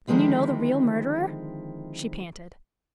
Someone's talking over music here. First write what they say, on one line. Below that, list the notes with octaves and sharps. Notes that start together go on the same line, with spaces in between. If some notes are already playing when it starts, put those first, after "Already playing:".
"Then you know the real murderer?" she panted.
D3 D#3 F3 G#3 C4 E4